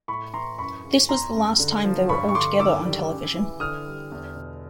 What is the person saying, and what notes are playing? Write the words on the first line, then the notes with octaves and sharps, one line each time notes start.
This was the last time they were all together on television.
A2 B5 C#6
E3 A#5 C6
F#2 B5 C#6
C#3
E2 A#5 C6
C#3
D3
F3
G2 B5 C#6
C#6
D3 C6 D6
D#3 D6 E6
G3
C#3
E3
D3 D#6 F6
G3
E2
B2